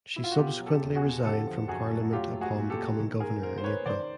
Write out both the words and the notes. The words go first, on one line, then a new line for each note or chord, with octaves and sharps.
She subsequently resigned from parliament upon becoming Governor in April.
E4
F4
F#4
B2 F4 G4
F#3
G4 A4
E2
F#4 G#4
E2
D3 G4 A4
F3
F#2 F#4 G#4
A3
F#3 F4 G4
A3
F#4 G#4
A#2
G4 A4
A#2
D#3
G#3 G#4 A#4
G#2 A#4 C5
C5
C#4 B4 C#5
D#3 C5 D5